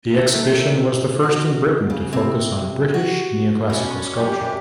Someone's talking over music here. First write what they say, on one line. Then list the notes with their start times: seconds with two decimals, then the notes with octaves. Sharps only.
The exhibition was the first in Britain to focus on British neoclassical sculpture.
0.12 D#2 A2 D#3 A3
1.23 F#4
1.90 C#3
2.13 C3
2.94 F#4
3.70 B2 C#4 D4
4.16 F#2 G4